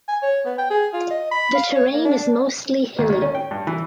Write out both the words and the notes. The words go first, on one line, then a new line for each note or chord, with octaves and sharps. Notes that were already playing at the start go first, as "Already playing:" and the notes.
The terrain is mostly hilly.
G#5
C#5
B3
G5
G#4
F4
D#5
B5
F5
C#5
A#3
D4
D#2
D#2
C#4
G5
G2
E3